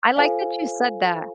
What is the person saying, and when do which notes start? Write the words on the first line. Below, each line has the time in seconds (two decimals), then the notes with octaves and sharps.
I like that you said that.
0.16 F4 A4 C5 F5 G#5